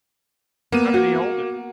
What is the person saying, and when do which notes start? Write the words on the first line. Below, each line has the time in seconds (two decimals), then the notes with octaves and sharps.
How did he hold it?
0.72 A#3 B3 D#7
0.94 F#4